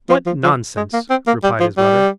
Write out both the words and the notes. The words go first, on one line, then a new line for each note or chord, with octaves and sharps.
"What nonsense," replied his mother.
F3
F3
F3
G#3
A#3
C4
A#3
G3
F3
G3